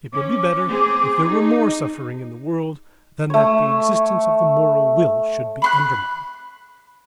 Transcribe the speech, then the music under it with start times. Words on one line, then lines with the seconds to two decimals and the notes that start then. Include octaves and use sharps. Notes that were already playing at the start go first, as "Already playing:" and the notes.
It would be better if there were more suffering in the world than that the existence of the moral will should be undermined.
0.13 C#4 D6
0.68 C4 G#4
1.27 D#4
3.30 A3 C#5
5.62 B5 C6 F#6